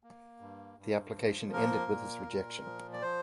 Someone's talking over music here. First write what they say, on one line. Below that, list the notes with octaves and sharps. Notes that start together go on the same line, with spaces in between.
The application ended with his rejection.
A#3
G2
G2
F3
A#3 A#4
A#2
A#2
F3
D5
F3 C5